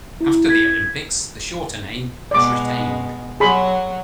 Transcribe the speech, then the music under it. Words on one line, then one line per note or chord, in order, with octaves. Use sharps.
After the Olympics the shorter name was retained.
E4
G#6 B6
B2 G#3 D5 D6
F#3 G#4 B5 C6